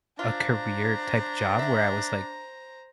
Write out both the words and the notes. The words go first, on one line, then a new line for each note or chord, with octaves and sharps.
a career-type job where I was like,
D4 F4 C5 A#5
E5 F#5